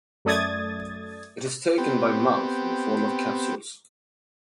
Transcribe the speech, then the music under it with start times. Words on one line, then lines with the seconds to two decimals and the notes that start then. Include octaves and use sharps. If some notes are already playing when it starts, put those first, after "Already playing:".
It is taken by mouth in the form of capsules.
0.25 F#2 A3 D5 D#6 G#6 A6
1.78 B3 C4 G4